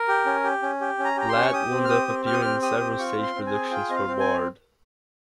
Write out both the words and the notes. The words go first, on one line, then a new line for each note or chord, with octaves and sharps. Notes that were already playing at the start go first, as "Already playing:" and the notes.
Ladd wound up appearing in several stage productions for Bard.
Already playing: A#4
G4
C#4
G4
C#4
G4
C#4
A#5
G4 A#5
C6
C#4
C#6
G4 D#6
C4
F6
G4 D#6
C4
G4 F6
D#6
C4 F6
G4 D#6
C4
F4 C#6
C4
C6
C4
G#5
G#4
F4 G5
C4 D#5
F5
C4
G#5